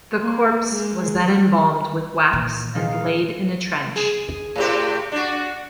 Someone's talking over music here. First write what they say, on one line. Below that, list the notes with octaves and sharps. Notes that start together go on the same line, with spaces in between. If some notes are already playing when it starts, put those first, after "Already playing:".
The corpse was then embalmed with wax and laid in a trench.
A#3
G#3
A#2 D#3 E3 A#3
C2 D#3 D#4 G#4 F5
G#4
A2 C3 G4
D4 F#4